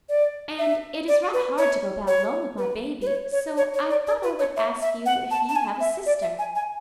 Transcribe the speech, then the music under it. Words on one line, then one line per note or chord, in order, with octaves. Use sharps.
"And it is right hard to go about alone with my baby, so I thought I would ask you if you have a sister."
D5
E5
D5
B4
C#5
C#5
B4
B4
C#5
C#5
C#5
C#5
D5
D5
B4
C#5
E5
E5
F#5
A5
A5
G#5
E5
D5
E5
G#5
G#5